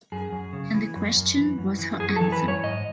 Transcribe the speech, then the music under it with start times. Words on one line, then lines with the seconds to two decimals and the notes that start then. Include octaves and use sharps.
And the question was her answer.
0.12 F#2 G#4
0.32 F#2
0.53 C#3
0.74 E3
0.96 F#2
1.16 F#2
1.37 E3
1.58 F#2
1.79 E3
2.00 F#2 G#4
2.16 A4
2.21 E3
2.32 B4
2.42 F#2
2.48 C#5
2.63 G#2 D#5